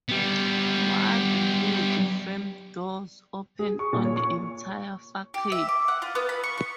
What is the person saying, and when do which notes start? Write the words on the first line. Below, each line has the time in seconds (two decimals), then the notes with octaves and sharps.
Wide wood-frame doors open on the entire facade.
0.09 G3 B3
3.59 G#4
3.79 C#6
3.93 A#2
4.05 C#5
4.16 C#6
5.34 G4
5.52 E5
5.69 D6
5.88 F#5
6.02 F4
6.15 B3
6.29 B5
6.43 C#6
6.58 C#6